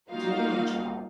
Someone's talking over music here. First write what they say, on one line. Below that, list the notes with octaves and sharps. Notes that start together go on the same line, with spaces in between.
getting a job,
G3 A#3 D#4 F4 F#4 F5